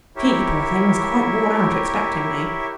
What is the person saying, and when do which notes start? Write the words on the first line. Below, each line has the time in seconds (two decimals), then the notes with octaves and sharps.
She, poor thing, was quite worn out expecting me.
0.16 E4 G4 A#4 C#5 E5